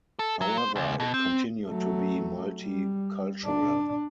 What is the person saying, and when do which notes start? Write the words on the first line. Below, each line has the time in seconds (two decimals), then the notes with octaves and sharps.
However, it continued to be multi-cultural.
0.19 A4
0.41 F#3
0.58 C5
0.76 C#2
1.00 B2
1.14 C4
1.67 F#3 A3
2.61 G3
3.45 D4